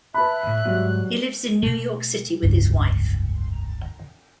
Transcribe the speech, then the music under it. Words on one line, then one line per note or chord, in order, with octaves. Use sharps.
He lives in New York City with his wife.
B4 E5 A5 B5 F#6
A2
G#2 F#3 G3
B2 A3
F1 C#2 G2